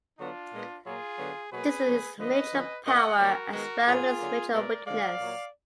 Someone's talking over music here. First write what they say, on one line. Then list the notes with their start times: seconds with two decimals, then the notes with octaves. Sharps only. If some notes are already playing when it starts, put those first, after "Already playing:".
This is its major power as well as its major weakness.
0.17 D3 F#3 B3 D4 F4
0.52 A#2 G#3 B3
0.85 A#2 F#3 A#3 F4 G#4
1.18 D3 F#3 B3
1.51 B2 F#3 A#3 G#4 B4
1.85 D3 F#3 A#3
2.18 D3 F3 B3 B4 D#5
2.51 D3 F3 B3
2.85 B2 A#3 D#5 F#5
3.18 D#3 F#3 A#3 F#4 A#4
3.52 D#3 G#3 B3 F#4 A#4
3.86 A#2 F#3 A#3 F4 G#4
4.18 D3 F#3 A#3
4.52 B2 G#3 B3 A#4 D5
4.85 D3 F3 G#3 D5 F5
5.19 A#2 F#3 A#3